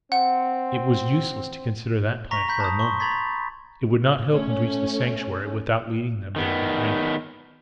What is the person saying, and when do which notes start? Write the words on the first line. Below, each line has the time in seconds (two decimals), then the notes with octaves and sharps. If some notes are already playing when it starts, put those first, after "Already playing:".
It was useless to consider that plan for a moment. It would not help him to reach the Sanctuary--without leading them there behind him!
0.12 C4 F#5
2.31 A#5 C#6 A#6 B6
2.48 A#5 B5 G6 B6
2.60 A5 D#6
2.79 C6 C#6
3.00 A#5 B5 G#6 A6 B6
4.31 A3 C#4
6.36 D#3 B3